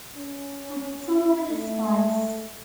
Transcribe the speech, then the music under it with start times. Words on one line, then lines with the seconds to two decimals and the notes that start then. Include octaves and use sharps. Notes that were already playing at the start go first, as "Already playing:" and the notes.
A Totally Spies!
0.16 C#4
1.49 A3